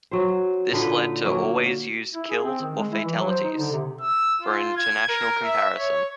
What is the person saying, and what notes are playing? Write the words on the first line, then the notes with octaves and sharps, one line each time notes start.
This lead to always use killed or fatalities, for international comparison.
F#3 C5
A#2 D3 D#4 B4
F#3 A#3
E4
G#4
C4
D#3
G#3
E4
E3
F#3
C5
D#4
D3
C3
E6
F4
G#6
A#4
E5
C#5